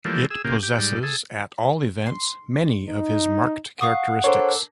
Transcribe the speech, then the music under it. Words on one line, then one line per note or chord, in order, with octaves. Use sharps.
It possesses, at all events, many of his marked characteristics.
E3 F3 G3 A3 A#3
G#4 E6
A#2 C#3 A#3 G4
G4
G#2 G3
G#4 A4
C6
D#4
F5 F#5 C#6 D#6
A#3 D4 A4 C5 C#5